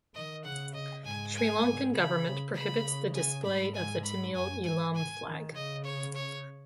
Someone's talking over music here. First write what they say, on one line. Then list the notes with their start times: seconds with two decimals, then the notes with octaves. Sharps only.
Sri Lankan government prohibits the display of the Tamil Eelam flag.
0.15 D#3 D#5
0.44 C#3 F#5
0.74 D#5
1.05 G#2 G#5
1.35 G#5
1.65 G#2
1.95 C#3 B5
2.25 C#3
2.55 C#3 B5
3.15 G#5
3.45 G#2 B5
3.75 G#5
4.05 B5
4.35 F#2 G#5
4.65 G#2 G#5
4.95 G#5
5.25 D#3
5.55 C#3 D#5
5.85 C#5
6.15 C#5